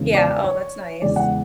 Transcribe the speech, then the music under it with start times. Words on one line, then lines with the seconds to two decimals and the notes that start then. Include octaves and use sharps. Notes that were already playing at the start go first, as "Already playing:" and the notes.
Yeah. Oh, that's nice.
Already playing: E2 C#3 G#3 C#4
0.15 D5
0.44 C#5
1.02 E2 C#3 E3 G#3 D5
1.16 F#5